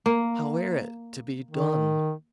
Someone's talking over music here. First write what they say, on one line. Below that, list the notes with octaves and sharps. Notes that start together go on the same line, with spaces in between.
How air it to be done?
A#3
D#3